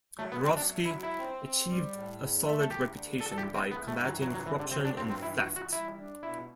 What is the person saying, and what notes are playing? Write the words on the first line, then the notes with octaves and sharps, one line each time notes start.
Yurovsky achieved a solid reputation by combating corruption and theft.
F#3 A3
B3
F#3 C4
D4
A3
E4
F#3
E4
C4
C4
G3
A2
E2
A3
A4
D2 G4
D4
E3 A4
A4
G4
E3
C4
E3 B3
A3
G2
F#3
C3 F#3
F#3
C3 E3
D3
F#3 C4
D4
G2 C4
C4
E3 E4
F#4
E3
F#4
G3 E4
D4
B2 E4